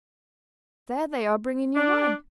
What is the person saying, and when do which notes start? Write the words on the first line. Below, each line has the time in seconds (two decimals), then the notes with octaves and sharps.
There they are bringing new wine.
1.75 D4